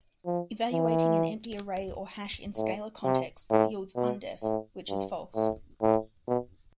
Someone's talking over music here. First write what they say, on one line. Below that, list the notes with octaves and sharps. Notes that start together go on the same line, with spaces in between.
Evaluating an empty array or hash in scalar context yields undef, which is false.
F3
E3
A2
C3
A2
B2
A2
G2
A2
A2
B2